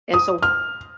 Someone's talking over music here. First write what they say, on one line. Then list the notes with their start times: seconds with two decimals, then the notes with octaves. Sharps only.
And, so
0.14 D#6
0.43 F6